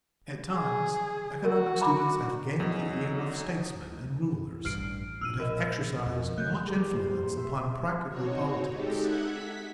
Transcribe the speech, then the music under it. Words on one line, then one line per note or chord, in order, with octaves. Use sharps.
At times economic students have gained the ear of statesmen and rulers, and have exercised much influence upon practical politics.
G#4
F#4 A#4
A#5 B5 D6
E2 F#3 D#4
A1 G2 F6 C7 D7
A#1 E6 F6 D#7
A#4 D#5
F2
F#3 A3 F#6 G6
G3 G#3 B3 G4 A#4 D5
A#1 C5 E7
A#3 C4 C6 C#7
C5 E5 C6
C4 D#4 F#4 C#5
G#3 D#4 G4 A4
D#4 E5 F#5 F#6 G#6
B6